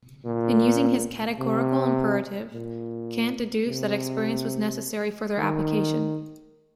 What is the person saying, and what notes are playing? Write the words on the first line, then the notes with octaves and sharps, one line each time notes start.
In using his categorical imperative Kant deduced that experience was necessary for their application.
A#2
C3
A#2
C3
D#3